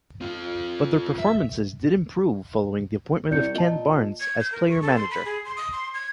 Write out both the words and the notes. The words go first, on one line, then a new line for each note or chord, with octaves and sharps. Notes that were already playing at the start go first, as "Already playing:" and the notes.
But their performances did improve following the appointment of Ken Barnes as player-manager.
C4 F4
E5
C2 D5 G6 C#7
A#2 D#5 A5
G#6
G6
A#4
C#6
A4
C6
B5
G#4
C6
D#6
C6
G#6